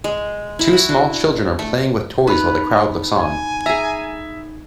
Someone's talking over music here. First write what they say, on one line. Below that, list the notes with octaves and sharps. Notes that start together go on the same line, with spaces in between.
Two small children are playing with toys while the crowd looks on.
G#3
E4
F#4
D4
A3
D#4 B4 B5
G#5
G#4 E5 A#5